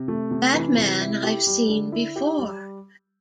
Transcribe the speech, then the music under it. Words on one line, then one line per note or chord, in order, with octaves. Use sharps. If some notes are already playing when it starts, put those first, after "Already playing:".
That man I’ve seen before.
Already playing: C3
A3
C3
E3
C3
E4
G4
G3
D3
E4
G4
G3